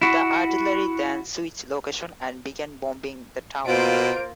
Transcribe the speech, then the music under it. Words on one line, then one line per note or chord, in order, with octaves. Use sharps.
The artillery then switched location and began bombing the town.
E4 F#4
B2 A#3 F4 C5 D7